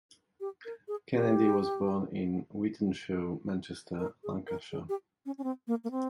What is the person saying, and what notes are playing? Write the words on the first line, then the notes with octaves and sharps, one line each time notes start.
Kennedy was born in Wythenshawe, Manchester, Lancashire.
G4
A#4
G#4
G4
A#4
G#4
A#4
G#4
G4
C#4
C#4
C4
A#3
A#3
C4